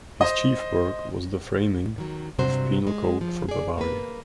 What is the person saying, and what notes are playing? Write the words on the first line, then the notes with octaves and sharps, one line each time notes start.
His chief work was the framing of a penal code for Bavaria.
C5 D#5
D#3 F#3
G2 C3 F#3 F#4 C5
G#3
F3
G#4 D5
A#3 B4